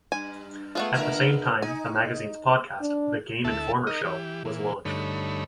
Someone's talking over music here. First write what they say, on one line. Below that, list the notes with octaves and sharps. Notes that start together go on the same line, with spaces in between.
At the same time, the magazine's podcast, "The Game Informer Show", was launched.
G2 G#5
A3 B3 F4 G#4
D3 A#4 E5
D#4 G#5
D4
D2 E4 A4 E5 A5
D#4 A#4 D#5
E3 G4
A#2 E3
G2 D3 A3 D#4 C#5 B5